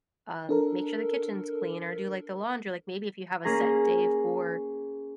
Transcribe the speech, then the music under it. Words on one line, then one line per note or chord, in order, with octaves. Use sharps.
um, make sure the kitchen's clean or do, like, the laundry. Like, maybe if you have a set day for
D4 A4 A#4
A#3 C#4 G#4 A#5